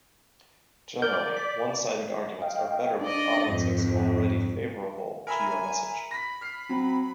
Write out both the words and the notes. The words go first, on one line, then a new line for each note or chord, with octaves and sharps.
Generally, one-sided arguments are better with audiences already favorable to your message.
A#4 D5 G6
B6
D#5 F5 G5
D4 D5 D#5
F2 G#2
A#4 E5 G#5 B5
B5 A#6 B6
F6 C7
F#3 C4